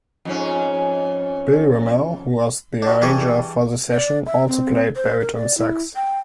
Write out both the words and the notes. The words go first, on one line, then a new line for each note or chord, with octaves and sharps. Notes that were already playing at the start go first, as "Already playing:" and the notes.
Bill Ramall, who was the arranger for the session, also played baritone sax.
F2 G#2 C#4
B2 D4
E3 G3 D4 G4 G#4 C#6
D5
E5
C4
C5
A#4
D5
E4
G5